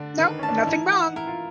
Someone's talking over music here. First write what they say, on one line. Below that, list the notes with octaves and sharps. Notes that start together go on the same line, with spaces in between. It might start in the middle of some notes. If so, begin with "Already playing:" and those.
No. Nothing wrong."
Already playing: D3 D4
D#3 D#4 B4
C#4 A5
D4
D#4
E3 E4 A#4
F#5
E4 A#4
F4